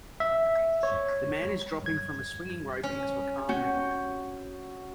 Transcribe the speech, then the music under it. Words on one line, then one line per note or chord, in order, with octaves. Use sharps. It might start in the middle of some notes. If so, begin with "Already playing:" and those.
The man is dropping from a swinging rope into a calm river.
E5
C#5
G#6
C#4
C#4 F#4 G6